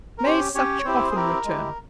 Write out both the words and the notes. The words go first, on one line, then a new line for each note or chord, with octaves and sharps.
May such often return.
A#4
C#4 G4 C5
C#4 G4 C#5
C4 E4 G4 C5
G#4
C4 E4 G4 A#4
G#3 E4 G4